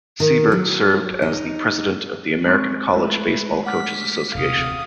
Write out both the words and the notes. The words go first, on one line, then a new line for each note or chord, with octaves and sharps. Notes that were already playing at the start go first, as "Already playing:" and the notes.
Siebert served as the president of the American College Baseball Coaches Association.
D#3
F#3
D#4
G#3 C4 C#6
G#3 A3 E4 B4 E5
F#5 D6 F6 B6
E1 D2 C3 F5 D#6